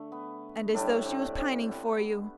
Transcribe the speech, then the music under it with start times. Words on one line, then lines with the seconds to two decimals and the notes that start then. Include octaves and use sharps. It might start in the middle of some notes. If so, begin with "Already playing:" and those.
"And as though she was pining for you."
Already playing: D3 A3
0.12 B3
0.74 A2 G3 D4
1.06 C4
1.38 C4
1.69 B3